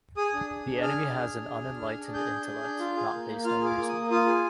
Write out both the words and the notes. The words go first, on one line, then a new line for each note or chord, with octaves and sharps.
The enemy has an unenlightened intellect, not based on reason.
G#4 D#6
D4
G#4
D4
G#4 F6
D4
G#4
D4
G#4
D4
G#4
D4
G#4 G6
D4
G#4
D4
F4
G#4
A#3
A#3
F4 F6
G#4 D6
A#3
A#3 D#6
F4 D#6
G#4